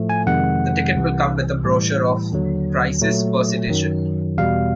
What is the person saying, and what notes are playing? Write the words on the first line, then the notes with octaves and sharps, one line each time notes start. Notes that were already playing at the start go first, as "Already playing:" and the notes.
The ticket will come with a brochure of prices per citation.
Already playing: A2 F3 A3
G#5
F2 C3 D#3 G#3 F#5
C2 C3 E3
A2 E3 G3
D#2 D3 F#3
A#2 F#3 A3
F#2 D#3 F#3
E2 B2 G3 F5